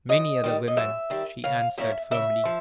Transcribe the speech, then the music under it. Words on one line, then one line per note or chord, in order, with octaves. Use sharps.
"Many other women," she answered, firmly.
F#2 D#5
D#3 G3
D#5
F#2 E5
D#3 G3
C#3 F5
F3 A#3 C#4 E5
C#3 E5
F3